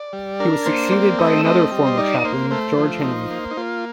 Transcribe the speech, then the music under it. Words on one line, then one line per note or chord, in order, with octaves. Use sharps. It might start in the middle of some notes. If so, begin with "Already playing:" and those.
He was succeeded by another former Chaplain, George Henry.
Already playing: D5
G3
D4 A#4
A#3 C5
C4 D5
A3 D#5
C4 D#5
G3
C5
D#4 D5
A#3 C5
A3 C5
F3
D#4
A#3
D#4
A#3 F4